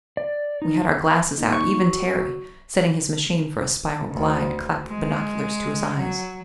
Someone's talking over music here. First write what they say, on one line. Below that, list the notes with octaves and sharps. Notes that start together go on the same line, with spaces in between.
We had our glasses out; even Terry, setting his machine for a spiral glide, clapped the binoculars to his eyes.
D5
D#4
D#2
C#6
F#3
D2
G#3
F#3